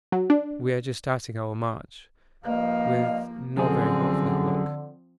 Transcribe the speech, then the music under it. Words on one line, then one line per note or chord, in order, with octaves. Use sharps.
We are just starting our march with no very hopeful outlook.
F#3
D4
G2 F3 A#3 D#5 F5
F#2 D3 F3 C4 G#4